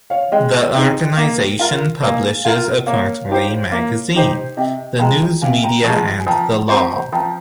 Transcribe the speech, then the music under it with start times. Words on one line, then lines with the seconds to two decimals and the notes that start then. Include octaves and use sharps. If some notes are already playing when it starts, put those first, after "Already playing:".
The organization publishes a quarterly magazine, "The News Media and The Law".
0.10 C#5 F5
0.32 G#3 D#5 G5
0.74 C4 D#4 G#4
1.17 A#3
1.59 F4 A#4
2.02 A#3 F5 G#5
2.45 F4 A#4
2.86 A#3 C#5 F5
3.29 D#4 G4 C5
3.72 A#3
4.15 D#4 G4 C5
4.57 C3 D#5 G5
4.99 F3 G#3 G5 A#5
5.41 C3 F5 G#5
5.63 G5 A#5
5.84 F3 G#3 A#5 C#6
6.20 G#5
6.27 F3 G5 A#5
6.69 C4 G4 C5 A#5 C#6
7.12 F3 G5 A#5